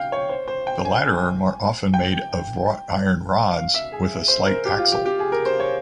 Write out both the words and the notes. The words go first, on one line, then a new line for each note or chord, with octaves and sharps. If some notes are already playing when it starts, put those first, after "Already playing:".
The latter are more often made of wrought-iron rods, with a slight axle.
Already playing: F5 G5
C#5
C5
C5
G5
G#5
G5
F5
E5
G#4
C5
A#4
G4
F4
G4
G4
G#4
A#4
C5
C#5